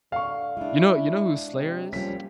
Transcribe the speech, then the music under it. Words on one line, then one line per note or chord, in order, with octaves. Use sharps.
You know you know who Slayr is?
D3 F5 C#6
G#3 D4 E4
C3
F3 G3 A#3 C#4 B6